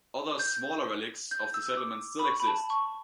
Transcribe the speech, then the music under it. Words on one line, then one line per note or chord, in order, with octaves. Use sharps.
Other smaller relics of the settlement still exist.
G6
G6
E6
D6
B5
C#6
B5
A5
C#6